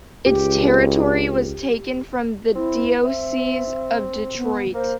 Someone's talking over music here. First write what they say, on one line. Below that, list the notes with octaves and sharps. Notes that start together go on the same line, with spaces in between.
Its territory was taken from the Diocese of Detroit.
C#2 G4
C4 E4
C4 E5
B3
A#3 C5